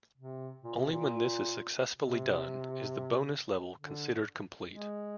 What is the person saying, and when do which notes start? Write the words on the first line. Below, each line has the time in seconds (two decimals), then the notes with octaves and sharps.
Only when this is successfully done is the bonus level considered complete.
0.18 C3
0.63 A#2
0.76 C3
0.91 A#2
1.98 C3
3.80 D3
4.70 G#3